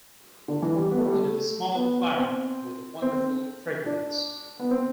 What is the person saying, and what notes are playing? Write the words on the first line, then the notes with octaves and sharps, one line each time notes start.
It's a small flower with a wonderful fragrance.
D3
E3
G3
B3
A3
G3
A3
B3
B3
C4
C4
C4
D4
B3
C4